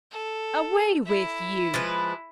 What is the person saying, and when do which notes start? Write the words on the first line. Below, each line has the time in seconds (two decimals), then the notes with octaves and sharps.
Away with you!
0.11 A4
1.06 E4
1.74 F3 G#3 B4